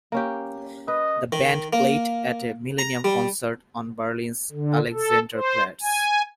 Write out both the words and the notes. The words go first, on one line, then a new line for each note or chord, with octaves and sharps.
The band played at a millennium concert on Berlin's Alexanderplatz.
A#3 C#4 G4
B4 D#5
D#3
A#3
A#5
G3
D3
A4
C5
G#5